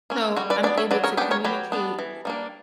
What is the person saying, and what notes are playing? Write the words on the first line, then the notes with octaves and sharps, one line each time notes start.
so, I'm able to communicate
A#3 C#4
G3 F#4
B4 D5
B3 D4 B4 D5
C#5 E5
F#3 B4 D5
A#4 C#5
B3 D4 G4 B4
A#4 C#5
F#3 G4 B4
B3 D4
E3
G3 A#3 D4